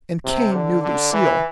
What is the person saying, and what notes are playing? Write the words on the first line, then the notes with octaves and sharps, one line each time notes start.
And Cain knew Lucille.
C3
D3
D3
E3